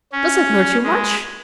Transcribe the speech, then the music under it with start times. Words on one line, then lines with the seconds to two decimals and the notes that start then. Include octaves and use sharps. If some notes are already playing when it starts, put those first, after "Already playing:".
Does it hurt you much?
0.12 C#4
0.84 G#3